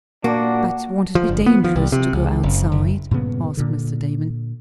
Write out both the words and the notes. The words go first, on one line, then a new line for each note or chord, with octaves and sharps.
"But won't it be dangerous to go outside?" asked Mr. Damon.
A#2 A#3 D4 F#4
F3
G1
B3
F3
C2
C3
C#2
F#1
F#1
G2 A#2 C#3 B3
A#2 D3